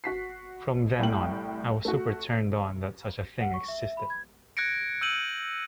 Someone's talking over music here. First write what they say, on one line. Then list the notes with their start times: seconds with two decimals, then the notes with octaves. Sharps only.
From then on, I was super turned-on that such a thing existed.
0.04 F#4 B6 C7
0.99 C2 A2 G5 F#7
1.85 A3 F#4
3.41 F#5
3.54 C#6
3.68 E5
3.82 E5
3.97 B5
4.10 G#6
4.57 F#6 G#6 A#6 C#7 D7
5.01 E6 G6 D#7 F#7